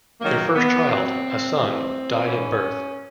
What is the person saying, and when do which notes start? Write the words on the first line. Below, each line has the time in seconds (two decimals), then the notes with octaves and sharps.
Their first child, a son, died at birth.
0.21 F#2 D#3 F#3 A#3
0.55 B3
0.89 A#2 F#3 C4
1.58 A2 E3 C4
2.27 G#2 E3 C#4